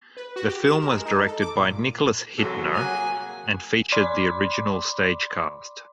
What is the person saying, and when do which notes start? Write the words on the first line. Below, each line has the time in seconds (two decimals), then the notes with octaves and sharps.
The film was directed by Nicholas Hytner and featured the original stage cast.
0.17 B4
0.36 F#4
0.48 G4
0.67 E7
0.80 A#4
0.94 G#3
1.05 D#4
1.27 A4
1.41 D6
1.56 A#2
2.38 C2 E3 F#3 A4
2.73 A#3 G#4 F#5 G#5
3.92 D5 B5 C6 D6